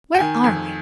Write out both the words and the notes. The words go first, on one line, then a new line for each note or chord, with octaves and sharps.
Where are we?
G5
D#3 G#5
F2 G#5